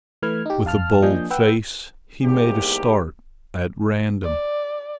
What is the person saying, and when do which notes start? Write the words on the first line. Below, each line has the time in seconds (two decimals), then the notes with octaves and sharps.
With a bold face, he made a start at random.
0.22 E3 A3 B4 F6 G#6
0.46 D#4 G4
0.65 F2 F5 A5 F6
1.02 F3 A#3 D4 D#5 G#5 G6
1.30 B4 F#5 G5 E6
2.23 E2 G#2 A#3 G4
4.23 D5